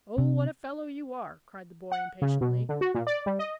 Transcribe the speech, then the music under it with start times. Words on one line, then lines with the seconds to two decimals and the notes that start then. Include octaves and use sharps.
"Oh, what a fellow you are!" cried the boy impatiently.
0.18 C3
1.92 F#5
2.22 C#3
2.41 B2
2.69 D3
2.81 F#4
2.94 A#2
3.07 D5
3.26 G3
3.39 D#5